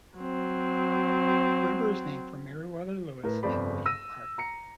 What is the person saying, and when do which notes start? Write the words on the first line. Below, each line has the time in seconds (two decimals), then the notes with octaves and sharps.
The river is named for Meriwether Lewis and William Clark.
0.18 F#3 C4
3.24 A2 A#4 B4
3.43 G1 F2 A4 C5 D5 B5
3.86 E6 A#6 D#7
4.38 A#5 C#7